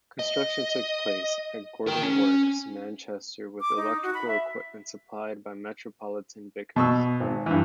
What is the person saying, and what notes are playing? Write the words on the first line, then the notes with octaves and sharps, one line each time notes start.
Construction took place at Gorton Works, Manchester with electrical equipment supplied by Metropolitan-Vickers.
D#5
A#4 G5
C#4
D6
D#4
F#4
B5
E5
B2 C#6 E6
G#1
G2 E3